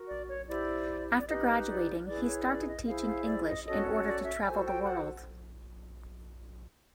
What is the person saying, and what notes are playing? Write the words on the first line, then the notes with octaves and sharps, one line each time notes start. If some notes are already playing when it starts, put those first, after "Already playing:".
After graduating he started teaching English in order to travel the world.
Already playing: F#4 A#4
D5
C#5
E4 G4 C5 D5
D5
D#4 G4 B4 D#5
D5
E4 G#4 B4 D5
C#5
D5
D#5
E4 G#4 C5 F5
F5
D5
D#5
C#4 F#4 A4 C#5 D#5
D5
E5
F#4 A4 C5 G#5
G5
F#5